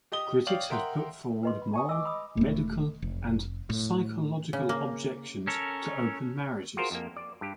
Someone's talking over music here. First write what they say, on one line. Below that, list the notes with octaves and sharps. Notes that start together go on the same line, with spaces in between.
Critics have put forward moral, medical, and psychological objections to open marriages.
G4 D#5 D#6 G7
C#5 D5 F5 G5 F#7
A#4 E5 F#5 G5 C6
B4 D#5 C6
B5
G#5 C#6 D#6
D#5 D6 E6
B5 D#6
E1 A3
F1
A2
C#3
A#3
C#4 A4 A#4 C#5
F4 F#4 G#4 A#4 C5
F2 A#3
D5
G2 G4